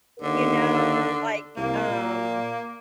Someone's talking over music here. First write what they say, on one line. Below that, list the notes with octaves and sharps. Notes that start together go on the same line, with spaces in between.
you know, like, um,
D#2 D3
C2 A#3
A#2